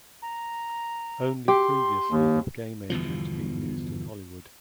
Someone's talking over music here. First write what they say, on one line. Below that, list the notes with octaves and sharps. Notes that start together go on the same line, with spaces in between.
Only previously have game engines been used in Hollywood.
A#5
G4 C6
D#2
G1 E2 B2 F3